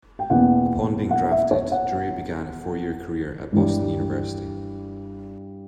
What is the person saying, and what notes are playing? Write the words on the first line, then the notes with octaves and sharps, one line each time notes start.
Upon being drafted, Drury began a four-year career at Boston University.
G5
E2 B2 A#3 C#4 F#5
F#5
E5
C#5
F#5
G2 E3 G3